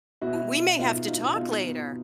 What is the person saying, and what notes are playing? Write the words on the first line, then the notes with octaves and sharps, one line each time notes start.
Ooh, we may have to talk later.
B2 E4 F#4
B2
B2 D#4 F4
B2 D#4 F4
B2 D#4 F4
B2